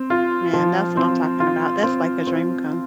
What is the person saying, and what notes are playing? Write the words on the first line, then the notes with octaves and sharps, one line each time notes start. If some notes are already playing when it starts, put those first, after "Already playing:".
Man, that's what I'm talking about, that's like a dream come
Already playing: C4
F4
F3
C4
F4
C4
C4